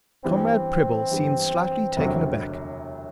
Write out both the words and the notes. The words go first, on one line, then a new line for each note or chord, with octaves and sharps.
Comrade Prebble seemed slightly taken aback.
G2 E3 G3 B3 C4
G2 E3 G3 B3
E1 D2 C3 F#3